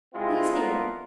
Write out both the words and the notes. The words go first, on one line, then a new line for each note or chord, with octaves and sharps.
He's here.
C2 G#3 C4 E4 F4
F2 B3 D4 E4 F4 A#4